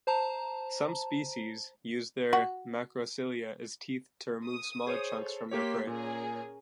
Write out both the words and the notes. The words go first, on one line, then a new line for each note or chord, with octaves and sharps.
Some species use their macrocilia as teeth to remove smaller chunks from their prey.
C5 A5 A#5
F#4
D#6
G#4 C5 C#5
A4
A#3 G4 C#5 C6 B6
A#2 C#4 G#4 A#4